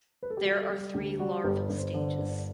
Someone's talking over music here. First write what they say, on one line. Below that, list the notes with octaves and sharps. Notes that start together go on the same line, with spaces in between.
There are three larval stages.
B4
A4
G4
G3 F#4
A4
G3
G4
D2 G4
G3 F#4
G1 G4
B4
G1
C5
D3 C5
G1